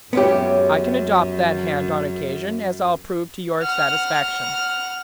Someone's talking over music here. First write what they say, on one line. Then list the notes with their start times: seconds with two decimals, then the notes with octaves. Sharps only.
"I can adopt that hand on occasion, as I'll prove to your satisfaction."
0.13 F#2 G#3 B3 C#4 G4 E5
3.62 F#5 F6